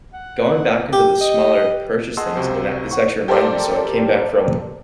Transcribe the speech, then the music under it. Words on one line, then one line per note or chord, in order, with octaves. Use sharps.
going back into the smaller purchase things, I mean that this actually reminded me, so I came back from,
F#5
G4
D#5
G#4 D#5 F#5 A5 C6 E6
C#2 C3 F#4 C5
F#5 C#6
G4 A4 A#4 C5 D5